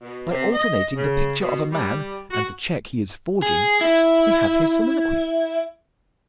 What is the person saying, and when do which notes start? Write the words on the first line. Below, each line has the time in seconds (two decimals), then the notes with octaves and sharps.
By alternating the picture of a man and the check he is forging, we have his soliloquy.
0.01 B2
0.30 C3
0.52 D#5
0.96 C#3
1.39 B2
1.72 G3
2.30 F#4
3.42 G#4
3.81 E4